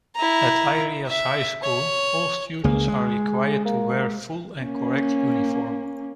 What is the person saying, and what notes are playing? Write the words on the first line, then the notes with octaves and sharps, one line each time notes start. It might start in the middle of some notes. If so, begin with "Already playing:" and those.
At Eirias High School all students are required to wear full and correct uniform.
E4 A#5
E5
C#5
C#2 A#3 G#4
G#3
A#3
A#3 C#4